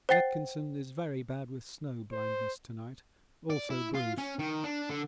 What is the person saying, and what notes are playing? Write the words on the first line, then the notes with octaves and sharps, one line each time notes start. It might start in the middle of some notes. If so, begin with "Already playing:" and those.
Atkinson is very bad with snow blindness to-night; also Bruce.
C5 F#5 G5 A6 C7
C5
D5
E4
F4
C#4
D#3
D4
D3